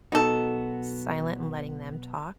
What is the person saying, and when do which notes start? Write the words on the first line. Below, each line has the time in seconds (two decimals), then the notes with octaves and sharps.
silent and letting them talk
0.12 B1 B3 D#4 F#4 A4